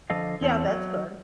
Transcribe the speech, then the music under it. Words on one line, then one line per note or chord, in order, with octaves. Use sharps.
Yeah, that's good.
D3 F3 A4 D#5 F5
E2 C4 A4
F#3